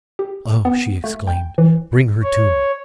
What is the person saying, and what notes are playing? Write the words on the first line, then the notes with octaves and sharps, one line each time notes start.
"Oh!" she exclaimed, "bring her to me!"
G4
B3
A3
G5
E3
C#5